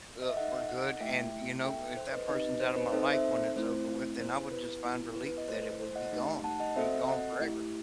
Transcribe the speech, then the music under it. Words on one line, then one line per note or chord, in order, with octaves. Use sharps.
uh, for good, and, you know, if that person's out of my life when it's over with, then I would just find relief that it would be gone, and gone forever.
D#5
E5
D#4 A4 D#5 F#5
D#5 F#5
A3 E4 G4 E5 G5
D#4 A4 E5 G5
C5
B4 D#5
C4 D#4 G4 B4 D#5
C5
B4 D#5
C4 D#4 A4 C5
C5
C5 E5
A3 C4 E4 C5
B3 E4 G4 C5
B4
B3 E4 G4
B4
B4
B4 D#5
A3 E4 A4 C5
C5
D#5 F#5
A3 D#4 G4
F#5 A5
D#5 F#5
C4 F#4 A4 C5 E5
D#5 F#5
A3 E4 G4